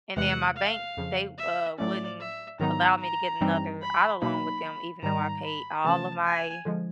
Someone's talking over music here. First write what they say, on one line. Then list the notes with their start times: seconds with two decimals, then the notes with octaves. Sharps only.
And then my bank, they, uh, wouldn't allow me to get another auto loan with them even though I paid all of my
0.16 E2 C3 E3 G#3 F#5
0.57 F5
0.97 F2 C#3 F3
1.38 E5
1.78 A2 F#3 A3 C#4 D5
2.20 E5
2.60 G#2 D#3 F#3 B3 D#4 A#5
3.00 A#5
3.41 G2 E3 G3 C4 D#4
3.82 B5
4.22 B2 F#3 A#3 D#4 B5
5.03 G#2 D#3 G3 A#5
5.44 B5
5.84 C3 E3 A3 C#4 A5
6.24 G#5
6.65 D3 F3 G#3